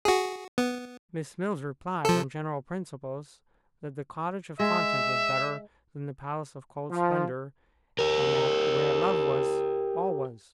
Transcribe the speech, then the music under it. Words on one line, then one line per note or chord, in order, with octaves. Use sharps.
Miss Mills replied, on general principles, that the Cottage of content was better than the Palace of cold splendour, and that where love was, all was.
F#4 G#4
B3
F3 A4
G#3 E5
F3
G4 A#4